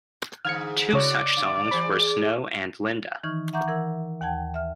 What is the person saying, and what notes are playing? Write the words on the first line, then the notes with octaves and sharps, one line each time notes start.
Two such songs were "Snow" and "Linda".
G#2 D3 F6 G#6 C#7
C#3 C#4 E4 F#4 C#5 D5
D3
E3 G#4 C5 B5
D#3 E3 D#4 C#6 F6
E5 F#5 A#5 C#6 D6 G6
E3 A#4 F#5 E6
D#2 F#5 G5 A5 G#6
E5 F6